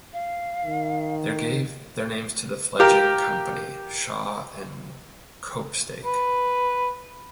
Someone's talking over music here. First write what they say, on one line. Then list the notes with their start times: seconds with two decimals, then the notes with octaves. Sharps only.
They gave their names to the fledgling company - Shaw and Copestake.
0.13 F5
0.65 D#3
2.79 F4 G4 A#4
6.05 B4